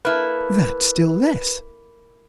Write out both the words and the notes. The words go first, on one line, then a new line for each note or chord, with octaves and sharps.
"That still less."
A#3 E4 A4 B4